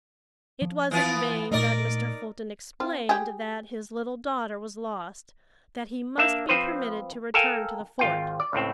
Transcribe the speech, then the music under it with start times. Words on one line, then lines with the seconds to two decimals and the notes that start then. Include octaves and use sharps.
It was in vain that Mr. Fulton explained that his little daughter was lost, that he must be permitted to return to the fort.
0.62 F3
0.91 E3 B3 F4
1.52 A#2 A3 D#4 A#4 D5
2.80 C4 F4
3.09 G4 G#4
6.18 A#3 D4 E5
6.49 F3 C4 B4 C5
7.34 A4 A#4 F5 G5 G#5
7.99 G#1 F4 G5
8.40 D5
8.53 C#2 A2 C4